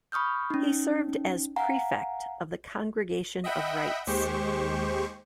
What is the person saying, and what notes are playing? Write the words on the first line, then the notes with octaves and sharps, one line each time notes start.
He served as Prefect of the Congregation of Rites.
B5 C#6 D#6 F6 G6
C#4 D#4
F5 F#5 G#5 A#5
D#5 E5 F#5 G5 B5
D#2 G#3 G4 C5 C#6